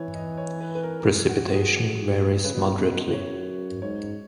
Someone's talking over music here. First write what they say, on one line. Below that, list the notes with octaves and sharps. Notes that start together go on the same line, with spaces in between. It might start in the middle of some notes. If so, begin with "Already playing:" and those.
Precipitation varies moderately.
Already playing: E3 B4 C#5
D#5
C#5
B4
B4
A#4
A#4
G#4
F#4
G#4
C#3 B4
B2
A#2
B2
F#2 C#5
G#2 C#5